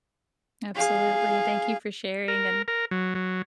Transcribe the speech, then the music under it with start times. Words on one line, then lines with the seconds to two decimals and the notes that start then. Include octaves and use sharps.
Absolutely, thank you for sharing, and
0.75 G#4 F5
2.28 A#4
2.68 A#4
2.91 F#3
3.15 F#3